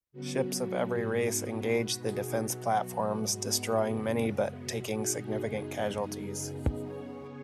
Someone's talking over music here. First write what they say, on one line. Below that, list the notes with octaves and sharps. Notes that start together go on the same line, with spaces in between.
Ships of every race engage the defense platforms, destroying many but taking significant casualties.
C#3 F#3 B3 F#4
F#4
G#2 G#3 B3 F#4
D#4
B2 B3 F#4
D#4 G#4
B2 F#3 B3 F#4
G#2 G#3 B3
F#2 C#3 G#3 B3
B2 B3 F#4
D#4 G#4
F#2 C#3 G#3 B3
F#2 C#3 B3
C#3 B3 G#4 C#5